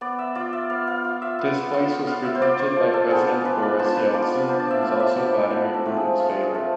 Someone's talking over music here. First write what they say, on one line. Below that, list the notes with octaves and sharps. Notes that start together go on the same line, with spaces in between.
This place was frequented by President Boris Yeltsin and is also Vladimir Putin's favorite.
B3 D5
E5
F4 D5
E5
B3 F5
F5
F4
E5
B3
F4
B3 F5
E5
C5
F4 D5
C5
F3
A4
B3 D4 F4 G#4
F3 B4
D5
B3 D4 F4 C5
B4
F3 D5
B3 D4 F4 C5
D5
E5
F3 F5
E5
C5
B3 D4 F4 D5
C5
F3 B4
A4
A3 C4
G#4
F3 F4
G#4
A3 C4